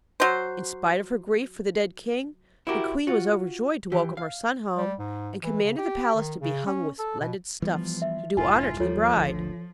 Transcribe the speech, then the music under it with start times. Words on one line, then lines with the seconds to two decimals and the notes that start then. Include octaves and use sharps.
In spite of her grief for the dead king, the queen was overjoyed to welcome her son home, and commanded the palace to be hung with splendid stuffs to do honour to the bride.
0.20 F#3 C5
2.67 E4 F#4 G4 A#4
3.07 F4 F#4
3.92 E3 G4
4.17 F5
4.77 G3
4.99 G#2
5.43 E3
5.63 C#3
5.78 G4
6.15 D#3
6.41 C#3
6.66 C#4
6.99 A4
7.20 B2
7.62 E3 F3 G3 B3
8.02 E5
8.37 F1 G#2 E4 F4 G#5
8.80 D#2 F3 G3 F4 A4 C#5
9.15 G#1 D2 D3